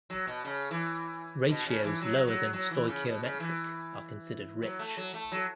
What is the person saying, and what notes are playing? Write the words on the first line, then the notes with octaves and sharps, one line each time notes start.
Ratios lower than stoichiometric are considered "rich".
F#3
B2
C#3
E3
B2
C#3
E3
F#3
F#3
F#3
E3
C#3
B2
C#3
E3
F#3
A3
F#3
A3
F#3